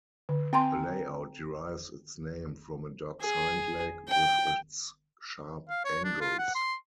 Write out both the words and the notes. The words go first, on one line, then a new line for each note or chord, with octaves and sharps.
The layout derives its name from a dog's hind leg, with its sharp angles.
D3
C4 G5 G#5 A#5 C6
G#4
G5
F5
C#5
D4
F4
F#5
C6